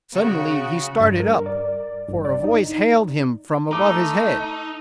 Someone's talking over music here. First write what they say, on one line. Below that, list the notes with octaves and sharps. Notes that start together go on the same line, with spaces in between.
Suddenly he started up, for a voice hailed him from above his head.
C#3 F#4
G2
A#4
D5
G1
D5
D#4
A3 D#4 A#5 D6